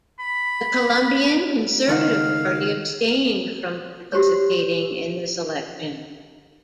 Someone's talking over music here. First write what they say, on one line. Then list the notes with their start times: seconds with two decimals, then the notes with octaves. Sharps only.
The Colombian Conservative Party abstained from participating in this election.
0.20 B5
1.88 C#2 D#3 F5 F#5
4.12 F#4 G4 C5 C#5